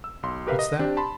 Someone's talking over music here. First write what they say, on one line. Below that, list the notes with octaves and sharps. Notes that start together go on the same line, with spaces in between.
What's that?
E6
B1 C6
G4 A#4 B4 E5 F5
D#5
C4 D4 G4
A5 B5 C6